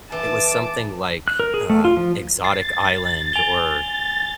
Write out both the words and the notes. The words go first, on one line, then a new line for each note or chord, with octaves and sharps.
it was something like, um, Exotic Island or,
E3 A5 D6
F#6
A#4
G#4
A3
F4
F3
A6 C7
G#5 F7 G7